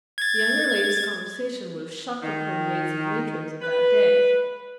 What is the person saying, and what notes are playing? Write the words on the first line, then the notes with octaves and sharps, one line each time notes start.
The younger lady's conversation would have shocked the prim maids and matrons of that day.
G#6 A6
D#3
B4